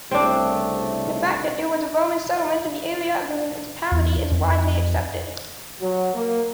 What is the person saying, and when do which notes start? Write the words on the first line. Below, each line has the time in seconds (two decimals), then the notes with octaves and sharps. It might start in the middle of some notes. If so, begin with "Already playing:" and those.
The fact that there was a Roman settlement in the area of the municipality is widely accepted.
0.11 C2 C#3 A3 C4 D4
3.91 E2
4.31 F2
5.80 F#3
6.14 A#3